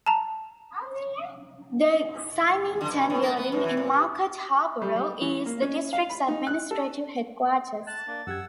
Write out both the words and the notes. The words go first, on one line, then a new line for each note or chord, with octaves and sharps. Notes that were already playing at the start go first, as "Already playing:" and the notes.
The Symington Building in Market Harborough is the district's administrative headquarters.
A5 A#5
D3
B2
A2
A#3
B3
F#2
E3
A#2
C3
G3
G3
E3
A#3
C#4
F5
B5
D#4
F#6
A4
A5 F#6 A6
A#3 D4
F#2 G4 F#5 E6 G#6